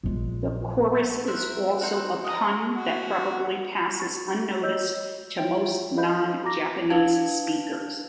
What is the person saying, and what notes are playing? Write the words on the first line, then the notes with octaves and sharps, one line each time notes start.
The chorus is also a pun that probably passes unnoticed to most non-Japanese speakers.
A#1 G#3
A#4 C5 E5 F#6
C4 D#4 F#4 A4
D#5 F#5 A#5
F#4
B5 C#6 A6
C#5 D#5 E6 G6
F4 F#4 C#5 E5 G5 D7
A4 C5 D#5 F5 B5 G6
F#4 A#5 D6 A#6
D4 E4 B4 F5 A5 G#6